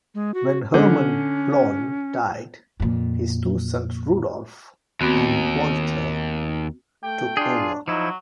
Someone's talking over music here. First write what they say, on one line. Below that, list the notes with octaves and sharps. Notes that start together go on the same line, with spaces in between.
When Hermann Blohm died, his two sons Rudolf and Walther took over.
G#3
F#4
D3 C#4
F2 A#2
D#2 B3 C4 F#4
A3 G5
D4 F4 G#4
F3 F#3 D#4 E4